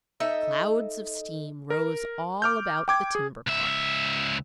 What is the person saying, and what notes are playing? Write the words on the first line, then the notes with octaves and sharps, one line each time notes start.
Clouds of steam rose all about the timber cart.
D#4 A4 D#5 E5
A#4
D6 F6 G6
G5 D6 G#6
G#4
C#2 E5